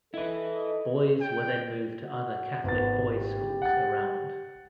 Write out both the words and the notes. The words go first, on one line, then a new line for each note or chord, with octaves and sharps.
Boys were then moved to other catholic boys’ schools around.
E4 A4 B4 D#5
G5
F#4
G#1 B3 A6
G4
F#5 A6